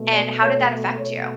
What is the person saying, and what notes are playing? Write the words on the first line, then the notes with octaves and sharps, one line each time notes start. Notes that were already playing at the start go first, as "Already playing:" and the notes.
and how did that affect you?
Already playing: B2 A3
D5
C#5
B2 A3 C#5